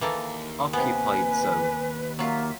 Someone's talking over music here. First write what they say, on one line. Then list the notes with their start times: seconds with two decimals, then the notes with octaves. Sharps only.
Occupied Zone.
0.01 D#2 E3 A#3 A4
0.73 C3 B3 B4 G#5
2.19 F#3 A#3 F4 E5